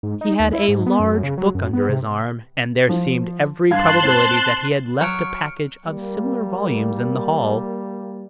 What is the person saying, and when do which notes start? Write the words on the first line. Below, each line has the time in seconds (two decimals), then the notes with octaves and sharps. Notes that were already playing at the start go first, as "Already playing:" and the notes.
He had a large book under his arm, and there seemed every probability that he had left a package of similar volumes in the hall.
0.03 G#2
0.21 D#4
0.40 D#2
0.53 E4
0.68 G#2
0.86 B3
1.00 F#2
1.23 C#3
1.38 F#3
1.55 F#2
1.73 B3
1.89 C3
2.89 F3
3.70 G2 F5 A5 C6 F#6 G#6
4.03 C4 C5
5.01 F#3 C#6 F6 C#7 D7
5.85 G3 A#3